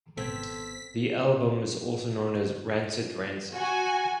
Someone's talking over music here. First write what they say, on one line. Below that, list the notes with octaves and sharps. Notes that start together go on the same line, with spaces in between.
The album is also known as Rancid Rancid.
G#1 B3 C4 A4 G#6 B6
F#4 G#5